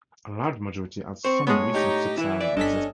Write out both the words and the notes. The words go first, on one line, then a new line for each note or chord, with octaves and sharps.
A large majority has some recent Subsaharan ancestor.
C4 C5 C#6
A2 G#3 B3 C#5
D#4 G4
E3 E4
D5 E5
G1 C#4 D4 A4 D#5 B6